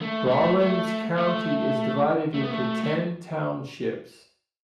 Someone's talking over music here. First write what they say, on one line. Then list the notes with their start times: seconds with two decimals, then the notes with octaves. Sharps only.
Rawlins County is divided into ten townships.
0.01 A3
0.27 G3
0.30 A3
0.59 A3
1.18 A3
2.34 A3
2.43 B3
2.51 A3
2.84 A3